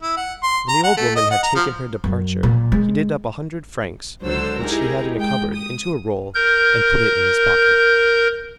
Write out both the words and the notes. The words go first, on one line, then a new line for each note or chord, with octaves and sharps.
When the old woman had taken her departure, he did up a hundred francs which he had in a cupboard, into a roll, and put it in his pocket.
E4
F#5
C6
A#5
F#5
A3
D#5
F#5
A#5
F3
F#2
A#2
G#3
C#2 D3 F#3 A4 C5 E6
D#4 E4 G4 G#4 A#4
G#3 G5
D#6
A#4 G6